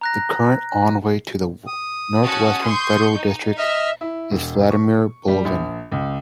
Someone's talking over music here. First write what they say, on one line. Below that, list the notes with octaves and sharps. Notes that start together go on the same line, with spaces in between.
The current Envoy to the Northwestern Federal District is Vladimir Bulavin.
A#5 F#6 A#6
D#6
C#4 F#4 A5
C6 C#6 G6
D#4
D#5 E5 F6
E4
E1
C#6
G3
A#1
C#2